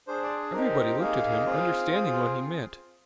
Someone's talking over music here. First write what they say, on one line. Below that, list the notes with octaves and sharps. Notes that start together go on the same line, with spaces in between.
Everybody looked at him, understanding what he meant.
D4 G#4 C5
D5
C4 D#4 G4 A#4
A#3 D#4 G#4 F5
C4 F4 G#4
C4 F4 G#4